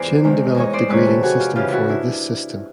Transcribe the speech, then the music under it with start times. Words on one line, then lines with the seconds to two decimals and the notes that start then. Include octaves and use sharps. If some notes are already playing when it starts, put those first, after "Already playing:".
Chin developed the grading system for this system.
Already playing: E2 C5 D5
0.24 C3 D#3 G#3 C4
0.55 E2 C#5
0.60 D#5
0.66 C#5
0.73 C5 D5
0.88 C3 D#3 G#3 C4 B4 C#5
1.07 G4 A4
1.23 F2 F#4 G#4
1.39 F4 G4
1.55 C#3 E3 F4 G4
1.72 E4 F#4
1.89 D4 E4